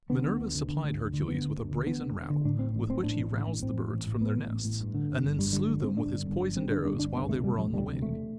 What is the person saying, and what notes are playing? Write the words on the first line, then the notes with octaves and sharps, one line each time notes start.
Minerva supplied Hercules with a brazen rattle with which he roused the birds from their nests, and then slew them with his poisoned arrows while they were on the wing.
D3 B3
D2
D2
D3
D3
D2
D2
D3
D3 B3
D2
D2
D3
D3 B3
D2
D2
D3
A2 D4
A1 C4
A1
A2 C4
A2 D4
A1
A1
A2
A2 C4
A1
A1
A2
A2 B3
A1
A1
A2
G2
D3
G1
G1
G2 G3
D3 G3
G1
G1 C4
G2 D4
D3
G1
G1
G2 C4
D3 D4
G1 D4
G1 D4
D2 B3
C3 A3
E1 G3
E1 F#3
D2 G3
C3
E1 A3